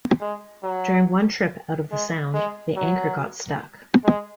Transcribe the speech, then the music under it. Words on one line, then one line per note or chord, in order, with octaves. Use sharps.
During one trip out of the sound the anchor got stuck.
G#3
F#3
G#3
G#3
F#3
G#3